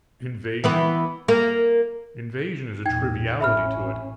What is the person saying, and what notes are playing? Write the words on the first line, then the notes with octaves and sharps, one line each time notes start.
Invasion? Invasion is a triviality to it.
E3 B3 B4
A#3
E2 A#2 D#4 G5 G#6
A1 C#4 E5 B5 F6